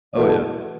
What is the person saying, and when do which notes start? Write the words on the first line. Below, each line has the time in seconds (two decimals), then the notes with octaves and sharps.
Oh, yeah.
0.16 E2 B2 A3